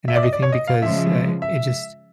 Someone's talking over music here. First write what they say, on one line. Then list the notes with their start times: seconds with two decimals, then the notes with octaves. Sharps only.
and everything because, uh, it just
0.08 E5
0.16 D5
0.23 D#5
0.33 D5
0.42 C#5
0.52 D#5
0.67 F5
0.82 C#3 F3 G#3 E5
1.42 E5